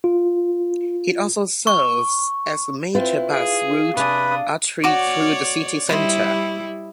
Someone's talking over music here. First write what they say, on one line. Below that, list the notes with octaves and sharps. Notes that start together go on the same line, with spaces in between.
It also serves as a major bus route artery through the city centre.
F4
C#6
C4 E4 F4 B4
G#4 F5
C3 D4 B4 G#5 D#6
F#4 C#5 D5 D6
G3 E4 C5 D#5 B5